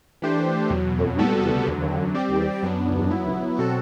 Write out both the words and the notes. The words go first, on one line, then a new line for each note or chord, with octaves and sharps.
The region abounds with rubies.
E3 A3 D4 G4 C5
E2 B2 F#3
C3 G3 B3 F#4 A4
E2 D3 F#3
G3 C4 G4 D5
F#2 F#3 B3 D4
F#3 B3 E4
B2 F#3 C4 F#4 A4